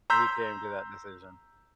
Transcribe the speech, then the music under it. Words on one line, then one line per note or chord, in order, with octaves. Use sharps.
we came to that decision.
A#5 C6 E6 G6 B6